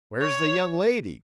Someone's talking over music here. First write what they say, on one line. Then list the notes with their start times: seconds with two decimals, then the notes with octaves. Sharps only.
"Where's the young lady?"
0.22 C#5